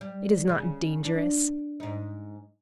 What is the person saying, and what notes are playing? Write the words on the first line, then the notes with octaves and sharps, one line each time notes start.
It is not dangerous.
G3
C#3
D4
G#2 D#4